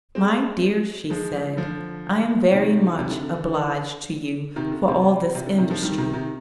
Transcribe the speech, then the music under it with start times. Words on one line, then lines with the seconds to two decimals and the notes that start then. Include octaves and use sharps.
'My dear,' she said, 'I am very much obliged to you for all this industry.
0.15 G#3 C4
1.10 F3 G#3
1.57 D3 F3
2.51 C3 D#3
2.98 C3 D#3
3.10 D3
3.23 D3
3.34 D3
4.56 C3 D#3
4.72 D3
4.88 C3
5.35 C3
5.46 D3
5.58 C3 D#3
5.70 D3 F3
5.82 D#3 G3
5.98 C3 D#3
6.13 C3 D#3